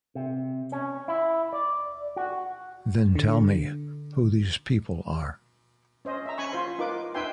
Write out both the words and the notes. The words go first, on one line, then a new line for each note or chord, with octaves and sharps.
Then tell me who these people are.
C3
C#4
E4
D5
F#4
D3
C#4 C5 D#5
E5 A#5
C#4 G#5 B5 C#6
F4 C5 C6
D#4 F4 A#4 B4 D6
D#4 B4 E5 G5 G#5 C6